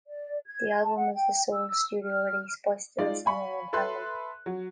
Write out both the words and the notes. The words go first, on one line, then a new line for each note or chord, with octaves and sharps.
The album is the sole studio release by Stills and Young in tandem.
D5
G#6
A5
F#5
G5
E6
F6
G#3 D#4 F4 D5
F5 G#5 B5 C#6
A4 B4 E5 C6 F#6
F#3